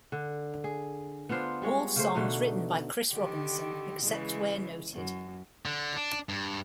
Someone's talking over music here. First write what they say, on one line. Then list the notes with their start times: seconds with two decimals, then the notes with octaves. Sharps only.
All songs written by Chris Robinson, except where noted.
0.12 D3
0.64 G#4
1.29 B3 D4 F4 C5
1.62 G3 G#3 C#5
1.96 C#3 A3 C5
2.15 B2 D3 A3 D#4
3.12 D3 D#3 G4
4.02 C#3 E3 G#3
4.94 F#2
5.65 D3
5.96 D4
6.29 G2